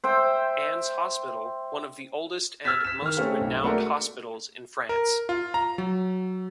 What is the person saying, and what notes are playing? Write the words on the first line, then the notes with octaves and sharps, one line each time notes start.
Anne's Hospital, one of the oldest and most renowned hospitals in France.
C5 E5 G5
E6 F6 G#6 A6 B6 E7
B6 E7
D#3 F6
A3 C4 C#4 G4 A4 F5
B1
A3 A#3 D4 F#4 G#4 A#4
A#4
F4
A#5
F#3